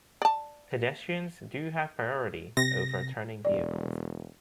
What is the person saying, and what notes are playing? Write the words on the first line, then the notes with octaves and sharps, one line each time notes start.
Pedestrians do have priority over turning vehicles.
D5 A5
C3 A#6
E1 D5